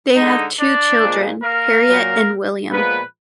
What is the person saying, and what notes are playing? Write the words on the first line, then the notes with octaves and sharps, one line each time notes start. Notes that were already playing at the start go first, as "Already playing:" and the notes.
They have two children: Harriet and William.
D3 G#3 D#4 D#5
D4 D5
A#2 F3 G#3
A#3 A#4
A#2 F#3
A#2 F3 G#3 B3 B4